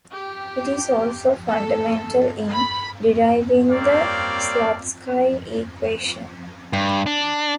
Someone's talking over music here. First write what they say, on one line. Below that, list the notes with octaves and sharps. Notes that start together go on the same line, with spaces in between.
It is also fundamental in deriving the Slutsky equation.
G4
A4
B5
G3 A#3 C4 C#5 D5 F5
G2
D4